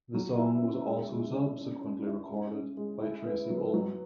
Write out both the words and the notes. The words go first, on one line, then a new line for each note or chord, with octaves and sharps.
The song was also subsequently recorded by Tracey Ullman.
F#3
E4
C#4
G#3
G#3
D4
C#4
C#4
E4
G#3
C#4
G#3
E4
B3
F#3
F#3